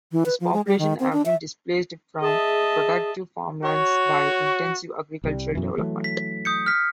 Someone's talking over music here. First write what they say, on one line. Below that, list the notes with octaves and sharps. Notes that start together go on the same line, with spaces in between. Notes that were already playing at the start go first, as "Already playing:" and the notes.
These populations have been displaced from productive farmlands by intensive agricultural development.
E3
B4
F3
G#3
G3
D#3
C4
D4
E5
G#4 D#5 E5 A5
F#4 C#5
C2 G3
F#2 B2 E3
E3 F#3 A3
B6
D#6 G6 C#7
F6 B6